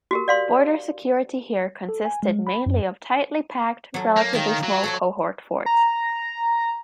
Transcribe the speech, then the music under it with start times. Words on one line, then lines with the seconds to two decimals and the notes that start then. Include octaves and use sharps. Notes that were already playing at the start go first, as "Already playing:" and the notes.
Border security here consisted mainly of tightly packed, relatively small cohort forts.
0.11 F#4 G4 A#4
0.28 D5 F5 C6
1.89 A4
2.05 G#5
2.23 G#3
2.47 B5
2.66 F#2
3.94 F#3 A4
4.17 A#3
4.33 D#3 F4 A#4 G5
4.64 F#3
4.84 A4 C5 C#5
5.66 A#5